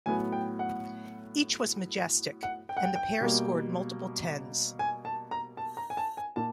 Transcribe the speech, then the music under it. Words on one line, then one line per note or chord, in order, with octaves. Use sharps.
Each was majestic, and the pair scored multiple tens.
A2 F#3 B3 G#5
G5
F#5
F#5
G5
F#5
G5
G5
B2 G3 A#3
G#5
A5
A#5
A5
A#5
G#5
A5
G#5
A#2 A5